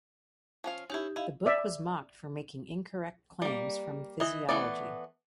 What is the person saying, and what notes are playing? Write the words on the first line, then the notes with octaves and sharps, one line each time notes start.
The book was mocked for making incorrect claims from physiology.
F3 C#4 F5
C#4 D#4 E4 G4
E4 D#5 F5
D5 E5
G3 A#3
E3 D#5
E3 A3 B3 D5